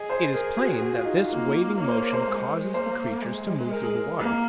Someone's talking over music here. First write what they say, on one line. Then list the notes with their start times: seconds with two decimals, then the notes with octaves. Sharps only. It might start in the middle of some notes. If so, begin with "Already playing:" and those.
It is plain that this waving motion causes the creatures to move through the water.
Already playing: G#4 D#5
0.10 C5
0.34 A#4
0.58 F#4
0.82 F#4
0.93 F4
1.05 D#4
1.17 F4
1.30 A#3
1.78 A#3 C#5
1.89 C5
2.01 A#4
2.13 C5
2.27 G#3
2.74 A#3 C5
3.23 G#3
3.71 A#4
3.83 G#4
3.95 A#4
4.19 A#3